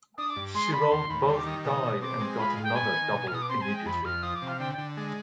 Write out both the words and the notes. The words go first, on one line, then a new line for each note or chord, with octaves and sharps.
She rolled both die and got another double immediately.
D4 D#6
D6
G2
G#3 C6
D3 B5
D#2 C6
D#2 B5
G3 C6
D6
D#3 D#6
B2 D#6
B2
C4 D6
G#3
F4 B5
G#2
G5
B3 G#5
D#3
B2
F6
B2 D#6
D6
C4 C6
G#5
G#3
G5
F2 B5
F2 F6
F3 D#6
D6
C3
F5
D3 G5
G5
D3
G#3